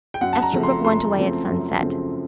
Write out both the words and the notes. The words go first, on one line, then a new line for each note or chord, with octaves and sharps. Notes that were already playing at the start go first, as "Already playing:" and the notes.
Esterbrook went away at sunset.
G5
F#2 F#5
A5
A#5
C#3 F3 A3 C4
C6
F#2 C6
C#3 F3 A3 C4
F#2
C#3 F3 A3 C4